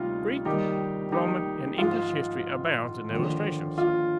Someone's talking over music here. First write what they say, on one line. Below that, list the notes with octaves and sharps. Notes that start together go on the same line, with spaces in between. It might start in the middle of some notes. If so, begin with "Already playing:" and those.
Greek, Roman and English history abounds in illustrations.
Already playing: D2 C3 G3 D#4 F4
D#2 D#3 G3 D#4 G4
D#4 G4
G#2 F3 G#3 F4
D#2 D3 F3
F4